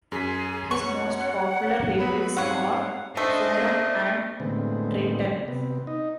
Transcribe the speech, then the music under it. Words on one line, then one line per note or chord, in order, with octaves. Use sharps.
His most popular labels are "Forum" and "Triton".
F#2 G#4 B6
C#5 F#5 C#6
F#3 B3 B5
G#2 G3 C4 C#5 F5 F#5
A3 D4 C5 D#5
A2 D3 G#3 B3 C4
C3 B3
D#4 D#5